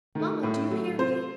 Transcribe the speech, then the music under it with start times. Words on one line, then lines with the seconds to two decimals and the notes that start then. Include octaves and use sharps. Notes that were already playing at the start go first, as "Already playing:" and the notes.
Mamma! do you hear me?
0.15 D#3 A3
0.43 A2
0.70 F#3 A3
0.98 C3 C5